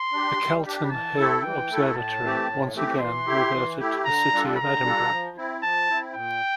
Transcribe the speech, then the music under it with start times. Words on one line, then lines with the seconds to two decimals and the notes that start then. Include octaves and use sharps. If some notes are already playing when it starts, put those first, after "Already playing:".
The Calton Hill Observatory, once again, reverted to the City of Edinburgh.
Already playing: C6
0.12 D4 G4
0.38 G3
0.64 D4 G4
0.90 E3 A5
1.17 A3 E4 A4
1.43 E3 G5
1.69 A3 E4 A4
1.95 A2 A5
2.21 E3 A3 C4 G4
2.47 A2
2.74 E3 A3 C4 G4
3.00 E3 C6
3.26 A3 E4 G4
3.53 E3
3.79 A3 E4 G4
4.05 D3 A#5
4.32 G3 D4 F4 A4
4.58 D3 A#5
4.84 G3 D4 F4 A4
5.10 F3
5.37 C4 E4
5.63 F3 A5
5.89 C4 E4
6.15 A#2 G5